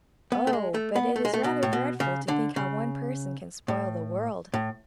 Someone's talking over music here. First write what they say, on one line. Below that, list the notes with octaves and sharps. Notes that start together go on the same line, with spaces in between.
Oh! but it is rather dreadful to think how one person can spoil the world!
B3
A3
G#3
A3
B3
A3
G#3
A3
B2
A2
B2
C#3
D3
C#3
A2
A2